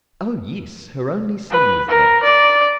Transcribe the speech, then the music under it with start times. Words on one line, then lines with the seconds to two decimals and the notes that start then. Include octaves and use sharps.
Oh! yes: her only son was there.
1.51 B4
1.88 A#4
2.23 D5